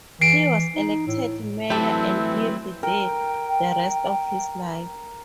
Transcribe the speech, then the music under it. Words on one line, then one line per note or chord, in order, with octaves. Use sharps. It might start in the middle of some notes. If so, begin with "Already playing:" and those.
He was elected mayor and lived there the rest of his life.
E3 C7 D7
D#4
A2
E3 F#3 A3 C4 E4 G4 A4
A#4 G5